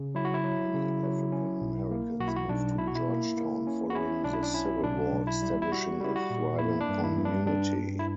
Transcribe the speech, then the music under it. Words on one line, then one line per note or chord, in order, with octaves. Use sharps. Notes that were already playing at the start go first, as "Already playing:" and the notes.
Many African Americans moved to Georgetown following the Civil War, establishing a thriving community.
Already playing: C#3
F#3 E4
F#4
E4
F#3
C#3
F#3
C#4
B1
A#3
B1 F#4
E4
F#4
B1 D4
B2 E4
F#4
E4
A#3
A#3
C#4
F#4
C#4 E4
B1 D4
E4
D4
C#4 E4
B1 D4
B1
E4
G3
E4
G3 F#4
G3 E4
F#4
A#2
A#3 E4
D4
G2
E4
G2
D4
G2 D4
G2
E4